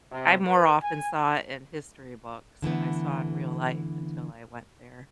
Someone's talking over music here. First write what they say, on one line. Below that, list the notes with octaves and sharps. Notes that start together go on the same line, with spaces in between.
I more often saw in history books than I saw in real life until I went there.
C3
B4
G#5
D3 E3 A3 B3